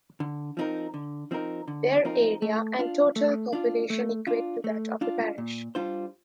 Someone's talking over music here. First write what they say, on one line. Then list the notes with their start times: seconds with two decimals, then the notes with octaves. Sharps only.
Their area and total population equate to that of the parish.
0.20 D3
0.57 F3 C4 D#4 A#4
0.94 D3
1.31 F3 C4 D#4 A#4
1.68 D3
2.05 F3 C4 D#4 A#4
2.42 A3
2.79 D4 F4
3.16 A3
3.53 D4 F4
3.90 A3
4.27 D4 F4
4.64 A3
5.01 D4 F4
5.38 A#2
5.75 G3 D4 F4 C5